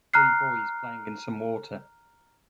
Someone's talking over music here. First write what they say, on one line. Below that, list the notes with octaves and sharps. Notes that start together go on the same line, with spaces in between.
Three boys playing in some water.
A#5 F6 F#6 C7